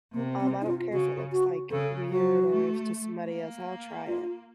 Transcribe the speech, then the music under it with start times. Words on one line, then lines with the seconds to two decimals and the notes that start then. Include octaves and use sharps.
um, I don't care if it looks, like, weird or if to somebody else, I'll try it,
0.14 C3 A#3
0.40 C4
0.62 D#4
0.66 F4
0.93 C#3 F#4
1.32 F#4
1.71 C#3 A4
2.10 F#3 F#4
2.50 A3
3.29 A#3
4.07 F4